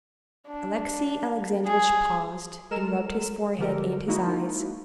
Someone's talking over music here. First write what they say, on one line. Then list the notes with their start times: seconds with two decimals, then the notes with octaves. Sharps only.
Alexey Alexandrovitch paused, and rubbed his forehead and his eyes.
0.48 D4
1.65 G#4
2.71 G#3 A4 A#4 A#5 F6 E7
3.58 D3 F3 G#3 G4 A4 A#4
4.07 G#3 A#3 D#4 E4 F#4